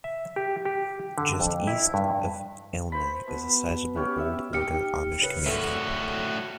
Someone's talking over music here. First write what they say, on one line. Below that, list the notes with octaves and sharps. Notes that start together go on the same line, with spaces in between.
Just east of Aylmer is a sizable Old Order Amish community.
E5
G4
G4
D3
F2
E4
G2
C5 B5 C#6
B2
C#4 G4 F#5 B5
E5
D#4 G4 F6 C#7
C#3 B4
F#2 A2 D3 F#4 E5